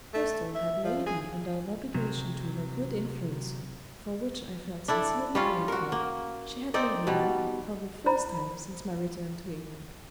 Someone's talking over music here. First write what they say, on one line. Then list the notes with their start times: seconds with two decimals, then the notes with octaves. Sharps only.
Cristel had laid me under an obligation to her good influence for which I felt sincerely grateful--she had made me laugh, for the first time since my return to England.
0.14 A3
0.55 E5
0.83 F3
1.06 G#4
1.94 C3 F#3
4.88 D4 E4 A4
5.35 G3 C#4 F4
5.68 F#4 A#4
5.92 A#3
6.74 C4 D#4 D5
7.07 B2 G3
8.06 E4 C5 A#5 B5